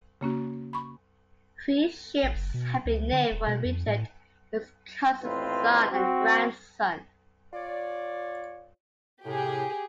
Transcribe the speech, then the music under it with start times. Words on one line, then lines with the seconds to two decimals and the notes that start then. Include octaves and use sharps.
Three ships have been named for Richard, his cousins, son and grandson.
0.21 C#3 A#3 C#4 F#4
0.73 B5 C#6
2.23 A1
2.35 F#1
2.54 B2
2.85 C#2
3.12 D3
3.31 D#1
3.47 B2
3.65 F2
3.87 A2
5.23 A1 D#2 A2 C4 F4 B4
5.91 C4 F#4
7.54 F4 C#5 D5
9.25 A2 C3 G4 G#4